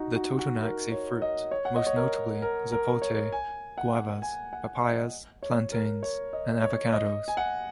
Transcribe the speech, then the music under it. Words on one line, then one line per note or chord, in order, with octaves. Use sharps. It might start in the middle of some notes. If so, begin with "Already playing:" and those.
The Totonacs ate fruit, most notably zapotes, guavas, papayas, plantains and avocados.
Already playing: D#4 F#4
F#4
F#4
A#4
C#5
D#5
C#5
F#5
D#5
C#5
A#4
A#4
A#4
C#5
G#5
F#5
G#5
F#5
D#5
C#5
A#4
C#5
D#5
C#5
D#5
G#5
F#5